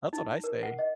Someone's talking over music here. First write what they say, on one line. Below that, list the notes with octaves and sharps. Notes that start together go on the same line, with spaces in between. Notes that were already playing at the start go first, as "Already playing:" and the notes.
That's what I say,
D#4
A#4
F#5
D#5